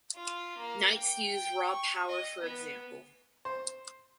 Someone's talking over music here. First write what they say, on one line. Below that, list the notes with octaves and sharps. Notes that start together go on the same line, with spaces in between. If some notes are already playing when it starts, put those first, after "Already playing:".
Knights use raw power for example.
F4
A#3
G5
G5
C#6
D#5
B3
C5